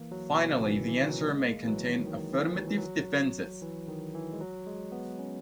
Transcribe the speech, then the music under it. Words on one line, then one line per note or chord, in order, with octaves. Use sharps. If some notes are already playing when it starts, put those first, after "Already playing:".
Finally, the answer may contain affirmative defenses.
Already playing: E3 A#3
F#3
B2
C#3
E3
D#3
E3
F#3
G#3
A#3
E3
F#3
D#3
D#3
E3
F#3
E3
F#3
E3
D#3
E3
G#3
F#3
G#3
B3
C#4